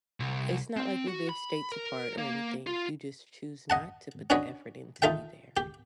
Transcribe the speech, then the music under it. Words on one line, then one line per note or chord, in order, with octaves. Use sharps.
it's not like we live states apart or anything, you just choose not to put the effort in to be there.
C2
C4
F#4
B5
A#4
A#3
F4
D#5 F#5 A5
C#4 D4 F#4 B4 C#5 D#5
D#4 F4 A4 E5 G5
G4